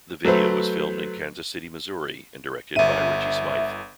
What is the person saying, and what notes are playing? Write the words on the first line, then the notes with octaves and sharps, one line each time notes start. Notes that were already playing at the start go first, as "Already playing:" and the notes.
The video was filmed in Kansas City, Missouri, and directed by Richie Smyth.
F#3 A3 B4 C5
G1 E5 D#7